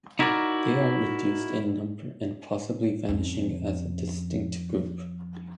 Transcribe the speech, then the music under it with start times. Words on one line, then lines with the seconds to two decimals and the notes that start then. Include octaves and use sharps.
They are reduced in number and possibly vanishing as a distinct group.
0.19 D#4 E4 F#4 A#4 D5
3.09 F2 C#4